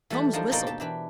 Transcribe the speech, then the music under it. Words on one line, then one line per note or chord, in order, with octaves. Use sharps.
Holmes whistled.
E3 G3 A3 A5 B5
F3 D4 D#4 A#4 C5
B2 A#3 D#4 C5 D5
G4 A5
E3 D4 B4